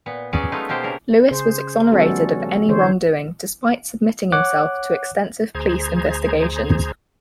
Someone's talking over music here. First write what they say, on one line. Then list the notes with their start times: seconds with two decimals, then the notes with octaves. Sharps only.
Lewis was exonerated of any wrongdoing despite submitting himself to extensive police investigations.
0.06 A#2 B3
0.33 F#3 B3 C#4 G#4 D5
0.52 G#3 A3 B3 D#4 F4
0.69 B2 A#3 G4 C5
0.83 C#3 C#4 D4 A#4
1.31 C#3 G#4 C5
1.92 G3 A3 B3 C#4 F#4 A4
2.11 F3
2.68 D3 E3 C5 C#5
4.32 C#5 F#5 D6 F#6
5.55 D2 G#4 C5 A#5 G#6